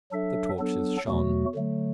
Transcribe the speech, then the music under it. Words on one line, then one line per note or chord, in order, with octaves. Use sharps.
The torches shone.
F#3 D4 A4 E5
F#3 B3 D4 A4
E2 B2 F#3 A3 F#4
D3 F#3 A3